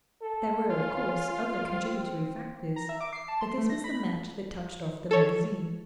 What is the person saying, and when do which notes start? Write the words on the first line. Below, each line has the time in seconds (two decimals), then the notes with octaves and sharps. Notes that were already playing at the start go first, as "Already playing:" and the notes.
There were, of course, other contributory factors, but this was the match that touched off the magazine.
0.22 A4
0.70 C#4 F4
1.72 C4
2.76 A#5
2.89 E5
3.00 D6
3.13 C7
3.28 A5
3.41 C6
3.58 A3
3.70 A#6
3.84 B5
5.11 A4 C#5